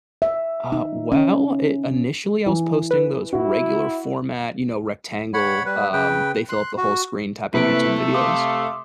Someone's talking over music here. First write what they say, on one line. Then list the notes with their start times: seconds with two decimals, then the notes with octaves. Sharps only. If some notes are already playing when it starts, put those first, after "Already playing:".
Uh, well, i initially I was posting those regular format, you know, rectangle, um, they fill up the whole screen type of YouTube videos.
0.22 E5
0.72 D#4
1.12 C#4
2.46 E3
2.91 B4
3.33 E4 F#4
5.34 C#5 F#5 B5
5.66 G3 B4
5.93 C#3 B4 G5
6.49 C6 F#6
6.77 F#4
7.54 C3 A3 A#3 E4 B4 D7
8.14 F5 C6 D6 D#6